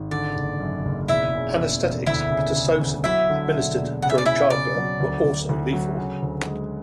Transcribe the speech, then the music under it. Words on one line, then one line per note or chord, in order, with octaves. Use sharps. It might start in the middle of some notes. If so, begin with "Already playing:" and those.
Anesthetics and pitocin administered during childbirth were also lethal.
Already playing: G#1
D3 D5
F#1
F#2
F#1
E1 E4 E5
C#3
E1
E1
D2 E4 E5
C#3
C#3
D2
F#3 E4 E5
D3
E1
E1
C#3 F#5
E5
D5
C#3 E4 E5
C#3 D5
F#3
D2
D2
D2
F#3
C#3
D2
G#3